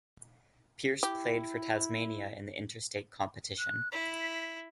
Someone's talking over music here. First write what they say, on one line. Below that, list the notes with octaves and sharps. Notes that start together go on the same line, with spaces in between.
Pearce played for Tasmania in the interstate competition.
E4 G4
F#6
E4 B6